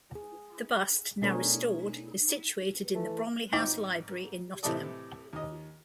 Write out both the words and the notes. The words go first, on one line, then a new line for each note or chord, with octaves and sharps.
The bust, now restored, is situated in the Bromley House Library in Nottingham.
G#4
B2 A3 D4 G#4 A#4 C#5
E3 A3
G#1 G#2 D#4 G5 D6
A2 C3 E3 A4 D5 D#5
D#2 D#5